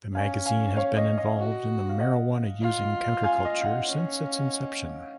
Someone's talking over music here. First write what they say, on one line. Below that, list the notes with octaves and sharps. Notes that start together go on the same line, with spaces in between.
The magazine has been involved in the marijuana-using counterculture since its inception.
C#4 F5 G#5
F5 G#5
C#5 F5
D#5
D#5
F#4
F5
D#5 F#5
F4
F5 G#5
D#5
F5
D#5 F#5
C#4